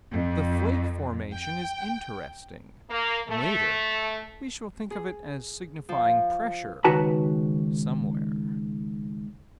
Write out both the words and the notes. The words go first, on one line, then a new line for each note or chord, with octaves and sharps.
The flake-formation is interesting: later we shall think of it as signifying pressure--somewhere.
F2
G5
A#3
A3
G#4
F3
C#2 D#3 F#4 B4 A5 A#5